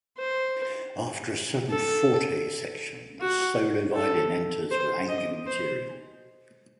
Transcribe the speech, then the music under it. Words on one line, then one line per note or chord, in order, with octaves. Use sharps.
After a sudden forte section, the solo violin enters with angular material.
C5
A4
F#4
A4
C5
D#5
C5